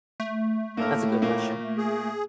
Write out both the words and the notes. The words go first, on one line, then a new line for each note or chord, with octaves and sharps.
That's a good question.
A3
A2 A#3 A4 A#4
A#2 A#3
G#4